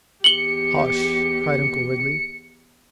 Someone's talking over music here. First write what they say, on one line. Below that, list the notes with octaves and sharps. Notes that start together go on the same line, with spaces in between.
"Hush!" cried Uncle Wiggily.
E2 G4 C#7 F#7 G7